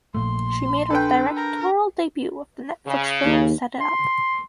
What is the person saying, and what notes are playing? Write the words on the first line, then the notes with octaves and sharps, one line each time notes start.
She made her directorial debut with the Netflix film "Set It Up".
A#1 A#2 A3 C6
D4 A4 B4 G5
A#4
C#3
D#2
C6